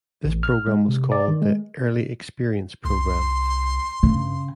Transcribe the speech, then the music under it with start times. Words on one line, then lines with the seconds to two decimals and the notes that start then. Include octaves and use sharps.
This program was called the "Early Experience Program".
0.25 A1
0.43 F6
0.68 G#3
0.88 C3
1.12 D5
1.28 D#3
1.42 G#3
2.85 C2 C6
4.03 G2 C#3